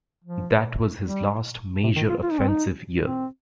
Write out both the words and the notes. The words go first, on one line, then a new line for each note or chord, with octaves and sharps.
That was his last major offensive year.
F3
G3
C3
D#3
F4
F4
D#4
C4
D#4
C4